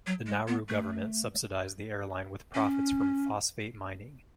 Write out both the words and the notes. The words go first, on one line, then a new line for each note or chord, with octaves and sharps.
The Nauru government subsidized the airline with profits from phosphate mining.
F#3
G#3
B3
A3
C#4